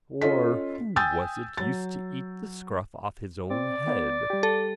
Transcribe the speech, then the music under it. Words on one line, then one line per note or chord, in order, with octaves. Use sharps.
Or who was it used to eat the scruff off his own head?
C#4 F4 A4 D#5 B6
G5 G#5 D#6 E6 G6 A6
F#3 A6
C4 D5
B3
G3 G4
A4